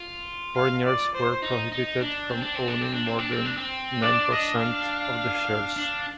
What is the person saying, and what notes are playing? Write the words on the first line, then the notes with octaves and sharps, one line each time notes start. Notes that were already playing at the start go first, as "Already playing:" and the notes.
Foreigners were prohibited from owning more than nine-percent of the shares.
Already playing: F4
F5
D5
C5
D#4
D#4
D4
C4
D4
C4
D4
C4
D4
C4
D4
C4
D4
C4
D4 D5
D#5
F5
D4